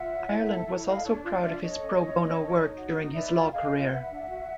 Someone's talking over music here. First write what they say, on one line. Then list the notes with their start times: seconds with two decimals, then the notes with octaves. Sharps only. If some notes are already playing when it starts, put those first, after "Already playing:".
Ireland was also proud of his "pro bono" work during his law career.
Already playing: F4 E5 F#5
0.09 C#5
0.28 E4
0.47 A4
0.66 E4
0.79 E5
0.85 A4 D#5 F5
1.05 D4 C#5
1.23 F4 D5
1.42 D4 D5 E5
1.61 A4 C#5 D#5
1.81 C#4
2.00 E4
2.19 C#4
2.38 A4
2.57 D#4
2.76 F#4
2.96 D#4
3.14 B4 D5 E5
3.33 F4
3.52 G#4 D#5 F5
3.72 F4
3.90 B4 E5 F#5
4.10 D4
4.29 F#4